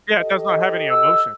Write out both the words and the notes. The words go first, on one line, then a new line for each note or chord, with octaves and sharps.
Yeah, it does not have any emotion.
G4 A4 D#5
E6